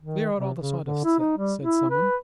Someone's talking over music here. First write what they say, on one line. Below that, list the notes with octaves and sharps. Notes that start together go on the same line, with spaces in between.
"Clear out all the sawdust," said some one.
D#3
C3
C#3
D3
E4
D#4
G3
E4
B4